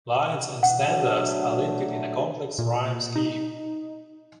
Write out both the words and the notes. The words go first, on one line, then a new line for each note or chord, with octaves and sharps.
Lines and stanzas are linked in a complex rhyme scheme.
E3 F#5
F#3 A3 D4
A#2
D#4